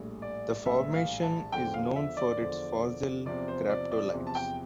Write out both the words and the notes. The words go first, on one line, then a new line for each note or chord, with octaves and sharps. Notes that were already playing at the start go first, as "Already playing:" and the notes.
The formation is known for its fossil graptolites.
Already playing: A#1 A2 G3
D5
A#1 A2 G3 E5
F5
A5
E2 D3 F3 G5
F5
E5
D5
E2 D3 F3
E2 C3 F3 D5
C5
D5
D5
E2 C3 F3
A5
G5